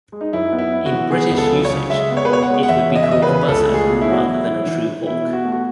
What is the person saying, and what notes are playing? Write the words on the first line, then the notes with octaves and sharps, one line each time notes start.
In British usage, it would be called a buzzard rather than a true hawk.
G#3
D#4
F#2 E4
B3
E4
B3
F#4
E3
B3 G#4
C#2
A4
F#3
C#5
C#3
G#3 E5
B3
C#5
B4
B2 C#5
F#5
G#3
F#5
E2 E5
C#3
D#5
E5
E2 D#5
B4
C#3
C#2 A4
A3
G#4
B2
E4
F#3 F#4
E3 E4
E3
E3
E3
B2 E4
B2
F#4
A3
F#4